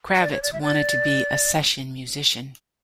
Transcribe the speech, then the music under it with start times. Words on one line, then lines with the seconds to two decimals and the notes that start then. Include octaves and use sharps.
Kravitz wanted to be a session musician.
0.20 D5
0.31 C#5
0.42 D5
0.53 E5
0.62 D5